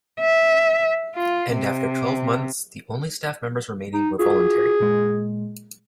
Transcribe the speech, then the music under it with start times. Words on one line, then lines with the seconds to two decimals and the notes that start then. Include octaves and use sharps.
And after twelve months, the only staff members remaining were voluntary.
0.20 E5
1.16 F4
1.53 C3
3.93 D#4
4.19 F4 F#4 G#4
4.80 A#2 G#3